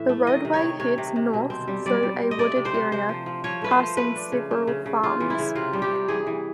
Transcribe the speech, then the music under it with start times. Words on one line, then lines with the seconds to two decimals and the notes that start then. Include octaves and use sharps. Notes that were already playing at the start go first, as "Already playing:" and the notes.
The roadway heads north through a wooded area, passing several farms.
Already playing: A2 E3 E5
0.09 A3
0.27 D#3 D#5
0.45 C3
0.54 C#5
0.62 D#3
0.80 C3 C#5
0.98 C3
1.16 C3
1.34 B2
1.50 C4
1.68 G3
1.86 G3 D5
2.03 G3
2.21 C4
2.31 D#5
2.38 A3 D5
2.56 C3
2.65 C5
2.74 C3
2.92 C3 C5
3.09 F3
3.26 F3
3.44 F3 C#5
3.62 A3 B4
3.71 C5
3.79 F3
3.97 A3 B4
4.16 D4
4.32 C#3
4.51 A3
4.67 C#3
4.86 C#3
5.03 C#3 F4
5.20 E3
5.30 E4
5.39 C#3
5.55 C3 F4
5.73 G3
5.82 G4
5.91 C3
6.08 E3 G#4
6.27 E3